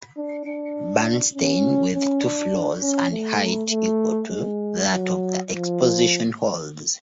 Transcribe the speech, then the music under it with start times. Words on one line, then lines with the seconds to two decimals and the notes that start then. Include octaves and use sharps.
Bernstein with two floors and height equal to that of the exposition halls.
0.17 D4
0.46 D4
1.35 C#4
1.94 C#4
2.23 D4
2.82 C#4
3.12 A3
3.70 A3
4.29 G#3
4.88 F#3
5.47 F3